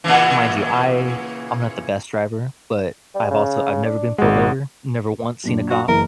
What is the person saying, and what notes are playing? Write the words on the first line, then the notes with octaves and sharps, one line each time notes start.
mind you, I I'm not the best driver, but I've also I've never been pulled over. Never once seen a cop.
A#2 C#3 E3
G3
C#3
D4
G#1 G#3 F#4
F#2 A#2 D4
F#4
F#1 E3 A#4